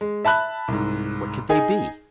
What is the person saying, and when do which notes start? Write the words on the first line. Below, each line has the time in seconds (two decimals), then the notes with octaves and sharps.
What could they be?
0.01 G#3
0.25 E5 A5 B5 F#6
0.68 C2 G#2
1.49 D#4 G#4 G#5